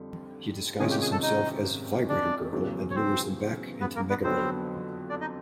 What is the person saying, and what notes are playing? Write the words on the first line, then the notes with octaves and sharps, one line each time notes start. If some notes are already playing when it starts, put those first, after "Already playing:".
He disguises himself as "Vibrator Girl" and lures them back into Megaburgh.
Already playing: F2 D3 G3
C3 D#3 G#3 C#4 F4 G#4 G#5
G4 G5
G#4 G#5
A4 A5
D#4 D#5
D4 D5
E2 C#3 F#3
C#5
C4 C5
B3 B4
A#3 A#4
B3 B4
F2 D3 F#3 B3 C4 C5
D4 D5
D#4 D#5